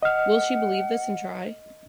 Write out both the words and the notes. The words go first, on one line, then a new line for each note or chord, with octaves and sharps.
Will she believe this and try?
D#5 F#5 F6